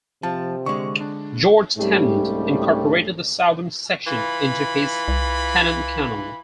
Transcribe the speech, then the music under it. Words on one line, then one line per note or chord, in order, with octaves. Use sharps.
George Tennant incorporated the southern section into his Tennant Canal.
C3 F3 A5
D3 G#3 C#6
D4
C2 G#2 G3 A3 C#4 G4
E3 F4 B5
C2